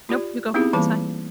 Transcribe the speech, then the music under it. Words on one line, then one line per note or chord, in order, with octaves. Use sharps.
Nope, you go. That's fine.
F4 G4 D5
B3 C4 D#4 E4 G4 G#4
E3 G3 A#3 A5 D6